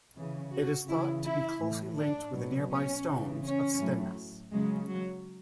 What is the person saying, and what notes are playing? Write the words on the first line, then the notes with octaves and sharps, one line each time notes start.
It is thought to be closely linked with the nearby Stones of Stenness.
C#3 E3
F#4
C#3 E3 E4
E4
A2 E3
D4
B2 F#3
C#4
C#3 E3
C#4
A2 F#3
C#3 F#3 G#3
F#3